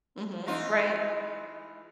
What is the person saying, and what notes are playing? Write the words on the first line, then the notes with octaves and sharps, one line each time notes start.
Mhm. Right.
E3 D#4 F4